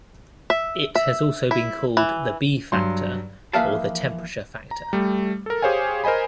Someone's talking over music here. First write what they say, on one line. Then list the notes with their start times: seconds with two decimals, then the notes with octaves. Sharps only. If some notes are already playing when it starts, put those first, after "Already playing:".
It has also been called the B factor or the temperature factor.
0.50 E5
0.95 E5
1.51 E4
1.97 E3
2.72 G2 F#3 C6
3.53 E3 F3 A#3 E5 F5 A5
4.71 A#5
4.93 G3 A3
5.46 A4 A#4
5.62 G4 G#4 C5 C#5 F5 G#5
6.04 A#4 C5 D#5 G#5 B5